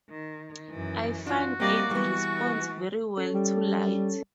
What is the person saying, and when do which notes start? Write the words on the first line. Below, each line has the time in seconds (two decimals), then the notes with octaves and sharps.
I find it responds very well to light.
0.10 D#3
0.70 F#2 E3
1.27 D4 F4 F#4
1.60 G3 A#3 C4 G4 D5 D#5
1.91 E3 G3 B3 C#6
3.17 C#4 A4
3.34 G3